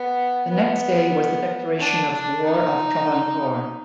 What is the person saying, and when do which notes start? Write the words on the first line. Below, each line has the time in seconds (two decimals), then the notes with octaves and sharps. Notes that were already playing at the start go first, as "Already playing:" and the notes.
The next day was the declaration of war of Travancore.
Already playing: B3
0.49 B3
1.79 D4
2.12 D4
2.45 D#4